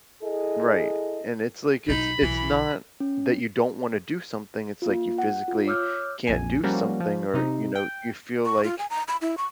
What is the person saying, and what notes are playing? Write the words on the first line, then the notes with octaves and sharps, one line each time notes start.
right, and it's, like, it's it's not that you don't wanna do something, it's like you physically can't do something or, you know, you feel like
E4 G#4 A4 D#5
B1 D#4 E4 B5
B1 E3
C#4
A#3 F4
F#5
F4
C#5 D6 E6 F6 G6
A#1 F2 G#5
F3 G3 A#3 C#4 F#4
F3
C3 D#4
G5
C#6
F4
G#5
A#5
B5
E4
C#6